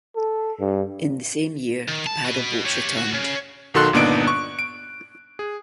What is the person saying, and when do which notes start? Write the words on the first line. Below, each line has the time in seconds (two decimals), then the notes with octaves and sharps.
In the same year, the paddle boats returned.
0.16 A4
0.60 G2
1.88 D#3
2.07 A5
2.24 F#4 B4
2.65 G4 C#5
2.96 D2 F#4
3.13 C#3
3.74 B1 D#3 F#4 A4 C6 F#6
3.93 G1 A#2 B3 D4 D#4 D7
4.27 C#6
4.59 D7
5.39 G#4